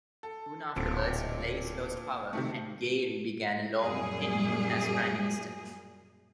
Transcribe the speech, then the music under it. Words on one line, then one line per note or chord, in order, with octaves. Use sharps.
Soon afterwards, Blaize lost power and Gairy began a long tenure as Prime Minister.
A4
D1 A#2 C4 A4
C3 D#3 A3
F#2 A#2 G3 G#4